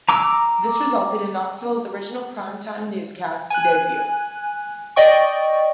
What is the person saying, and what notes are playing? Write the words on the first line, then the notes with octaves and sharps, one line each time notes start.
This resulted in Knoxville's original prime time newscast to debut.
A#5 D6 E6
G#5 F#6
D5 D#5 G5 C#6